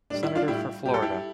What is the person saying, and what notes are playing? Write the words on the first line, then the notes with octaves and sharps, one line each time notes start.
Senator for Florida.
A2 G3 D4
E4
D4 F4
A2 G3 E4 G4
A2 G3 G4
A4
E4 G4